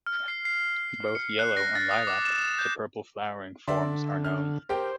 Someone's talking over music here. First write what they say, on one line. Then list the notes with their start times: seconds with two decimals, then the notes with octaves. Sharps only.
Both yellow and lilac to purple flowering forms are known.
0.06 F6
0.28 C7
0.45 C7
1.15 C#7
1.39 F#6
1.57 A#6
1.75 A6
1.91 D#6
2.07 D6
2.25 E7
2.59 G6
3.68 D3 D5 E5 C6
4.24 F6
4.69 G4 A#4 C5 G5